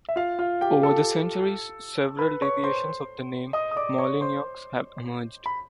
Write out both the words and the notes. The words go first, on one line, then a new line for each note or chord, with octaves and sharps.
Over the centuries, several deviations of the name Molyneaux have emerged.
E5
F4 F5
F4 F5
G4 G5
A4 A5
B4 B5
C#5 C#6
C5 C6
D#5 D#6
D#6
D5 D6
C#5 C#6
C5 C6
B5